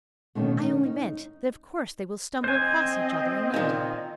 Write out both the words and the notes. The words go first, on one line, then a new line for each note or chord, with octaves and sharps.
"I only meant that of course they will stumble across each other in London."
B2 D3 D#3 A3 A#3 C#4
D#3 C#4
D#4
C4 C5 D#5 G#5
A#2 D#3